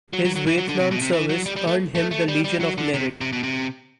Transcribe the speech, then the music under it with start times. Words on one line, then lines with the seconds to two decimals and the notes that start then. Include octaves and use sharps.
His Vietnam service earned him the Legion of Merit.
0.13 F#3
0.25 F#3
0.36 F#3
0.47 E3
0.58 F#3
0.69 D3
0.80 C3
0.91 B2
1.02 C3
1.13 E3
1.29 F#3
1.46 G3
1.56 G3
1.67 A3
1.95 A3
2.11 A3
2.28 G3
2.44 G3
2.61 F#3
2.78 D3
2.94 C3
3.21 C3
3.33 B2
3.43 C3